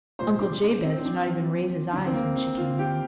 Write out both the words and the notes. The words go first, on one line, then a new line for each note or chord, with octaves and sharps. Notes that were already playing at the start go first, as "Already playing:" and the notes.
Uncle Jabez did not even raise his eyes when she came in.
C2 A#2 C5
D4
D4
C4
C4
D4
D2 D3 D4
C4
A#3
C4
F4
G4